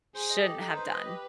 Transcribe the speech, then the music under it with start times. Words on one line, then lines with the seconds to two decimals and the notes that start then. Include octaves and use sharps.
shouldn't have done?
0.15 G#4 C5
0.30 D#5
0.45 G4 A4
0.60 D#4
0.76 B4 C5
0.90 D#5
1.06 G4